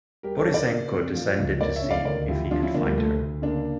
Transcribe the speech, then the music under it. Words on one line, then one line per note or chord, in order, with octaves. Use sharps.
Borisenko descended to see if he could find her.
G3 G4 A#4
A4 C#5
C#3
A#4 D5
C#3
F2
F3
C#2
C#2 A#4 D5
C#5 E5
C#3
D5 F5
D2 A#4 D5
F3 E4 G4
F3 D4 F4
C#4 E4
D2 A#3 D4
G3 A#3
D2 A3
D2
C#3 A#3 D4